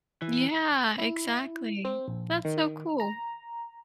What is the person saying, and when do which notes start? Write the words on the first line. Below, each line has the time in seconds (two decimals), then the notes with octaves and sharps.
Yeah, exactly. That's so cool.
0.22 E3
0.98 E4
1.85 C4
2.08 A#1
2.45 D#3
3.00 A#5